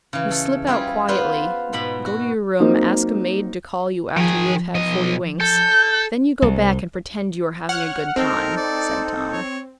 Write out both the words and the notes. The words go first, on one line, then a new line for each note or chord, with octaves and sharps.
"You slip out quietly, go to your room ask a maid to call you after you have had forty winks, then you go back and pretend you are having a good time," said Tom.
C#3 E3
A4
G3 E4 F4 G#4
B3 F4 B4 C5
G#2 B2 B3 B5
F#4
F#3 A#3 C4 D#4
D#3 F3 G#4
B1 D#5
A4 G6
C2
C#5 F#5 F6
C4 D#4 A4 A#4
D5
C#5